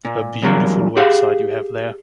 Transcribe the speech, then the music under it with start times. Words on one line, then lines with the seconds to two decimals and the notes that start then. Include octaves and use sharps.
A beautiful website you have there.
0.05 A#2
0.42 E2 G2 F#3 A#3
0.97 G4 G#4 F5 F#5